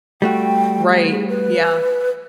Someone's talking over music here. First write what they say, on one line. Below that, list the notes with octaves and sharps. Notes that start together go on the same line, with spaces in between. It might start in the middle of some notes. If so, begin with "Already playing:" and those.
Right. Yeah.
G3 A3 F#4 G5
G#4
B4